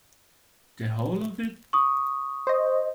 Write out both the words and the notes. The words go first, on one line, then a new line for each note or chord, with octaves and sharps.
The whole of it?.
C#6 D#6
C5 D#5